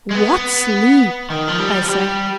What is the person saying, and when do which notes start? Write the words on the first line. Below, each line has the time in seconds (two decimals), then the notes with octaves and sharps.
"What sleep!" I said.
0.11 G#3
0.15 B3
1.30 D#3
1.48 F3
1.59 G3
1.84 F3
1.88 G3